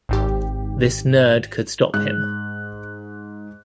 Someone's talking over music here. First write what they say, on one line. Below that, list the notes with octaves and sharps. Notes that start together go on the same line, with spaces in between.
This Nerd Could Stop Him.
G#1 G#2 G4
G#2 F#6